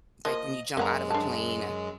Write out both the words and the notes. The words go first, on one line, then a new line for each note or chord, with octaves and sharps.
like, when you jump out of a plane
F3 A#3 D#5
F#2 G#3 A#3 F#5 A#5
D4 A5